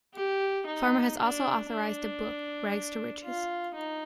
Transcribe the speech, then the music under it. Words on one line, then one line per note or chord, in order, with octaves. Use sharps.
Farmer has also authored a book, Rags to Riches.
G4
D#4
D4
D4
F4
D#4